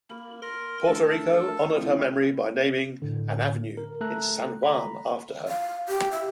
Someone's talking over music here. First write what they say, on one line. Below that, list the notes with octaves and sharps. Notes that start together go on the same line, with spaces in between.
Puerto Rico honored her memory by naming an avenue in San Juan after her.
A#3 B5
A#4 C6 A#6
A3 D4 A4 A#4
A4
F3 A3 C4 E4
A2 D3
A#4
A3 A4 A#5 F#6
A#5 B5
F5
G4
E5